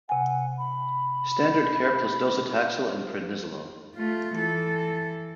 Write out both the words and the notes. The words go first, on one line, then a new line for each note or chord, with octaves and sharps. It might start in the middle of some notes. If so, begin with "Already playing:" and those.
Standard care plus docetaxel and prednisolone.
C3 F#5 G#5
B5
A3 F4
E3 A4